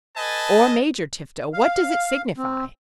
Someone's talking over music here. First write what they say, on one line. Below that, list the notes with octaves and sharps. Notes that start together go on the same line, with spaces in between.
"Or Major Tifto;--what does it signify?"
A4 B4 D#5 G#5 A5
F5
C4